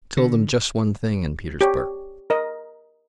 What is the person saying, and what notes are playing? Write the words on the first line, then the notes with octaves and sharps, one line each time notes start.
"I told them just one thing in Petersburg."
D3
G4 C#5
A#4 D#5